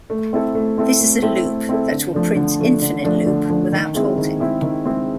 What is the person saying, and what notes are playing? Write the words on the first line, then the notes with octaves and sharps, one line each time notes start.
This is a loop that will print "Infinite Loop" without halting.
A3
C4 E4 A4
A3
C4 E4 A4
A3
C4 E4 A4
A3
C4 E4 A4
D3
F3 A3 D4
D3
F3 A3 D4
D3
F3 A3 D4
D3
F3 A3 D4
D#3
G#3 C4 E4 G#4
D#3
G#3 C4 E4 G#4
D#3
G#3 C4 E4 G#4